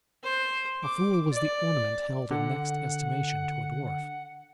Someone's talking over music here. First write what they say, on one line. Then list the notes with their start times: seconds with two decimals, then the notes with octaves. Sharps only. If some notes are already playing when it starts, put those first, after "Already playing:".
A fool was the ornament held in next estimation to a dwarf.
0.23 C5
0.83 D6
1.32 D5
2.31 D3 F#5